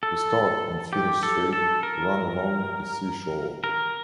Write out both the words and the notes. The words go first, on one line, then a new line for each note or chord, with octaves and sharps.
The start and finish straight ran along the sea shore.
A4
G4
A4
A4
A#4
A#4